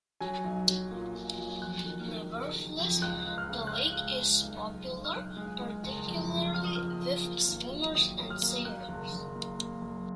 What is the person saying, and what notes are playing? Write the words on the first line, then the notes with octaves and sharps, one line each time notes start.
Nevertheless, the lake is popular particularly with swimmers and sailors.
F#3 G#5
B1
F#3
A#2
A#2
F#3
F2 F#6
D#3
D#3
F#1
D#3
F2
C#2 F#6
C#2
F6
C#3
F#6
C#2 F6
G#3
C#2
B1
G#3
B1
F6
B1 F#6
G#3
G#3
F#1
F2
F2
F3 F6
D#6
F#1 F6
F3
A#3
G#1
F#3
G#1 D#6
F#3
F6
A#3
A#3 F#6
F#1
F#1
A#3
A#3
F#2